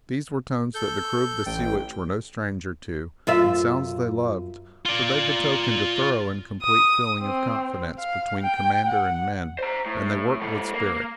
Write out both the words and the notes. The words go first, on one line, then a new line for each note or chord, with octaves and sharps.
These were tones that the crew of the "Sea Witch" were no strangers to, and sounds they loved, for they betokened a thorough and complete feeling of confidence between commander and men, and they worked with spirit.
A4 G6
A1 G5
F#2 F4 E5
F4 D5
D#6
C4
F5
G5
F#5
C5 A#5
A2
G#2 A4
A#3